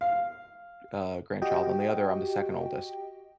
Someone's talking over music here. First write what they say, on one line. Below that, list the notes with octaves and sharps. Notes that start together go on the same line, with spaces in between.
uh, grandchild, on the other, I'm the second oldest.
F5
F#4 G4 D#5 G5